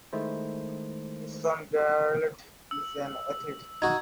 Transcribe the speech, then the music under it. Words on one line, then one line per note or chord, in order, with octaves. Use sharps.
His son Gerald is an athlete.
D#3 G#3 A3 E4 C5
E6
D#4 F#4 G#6